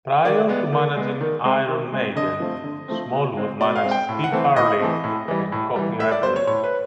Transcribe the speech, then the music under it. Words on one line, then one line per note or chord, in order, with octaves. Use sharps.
Prior to managing Iron Maiden, Smallwood managed Steve Harley and Cockney Rebel.
D#3 D5
G#3 B3
D#3
G#3 B3
D#3
G#3 C4
D#3
G#3 C4
D3 D#5
F3 A3 C4
D3
F3 A3 C4
B2
G#3 C4
B2 D5
F5
G#3 C4
G5
A2
F#5
E3 A3 C4
A2 D#5
E3 A3 C4
A2
E3 G3
A2
E3 G3
A2 E5
D5
F#3 B3 C5
C#5
A2 C#5
B4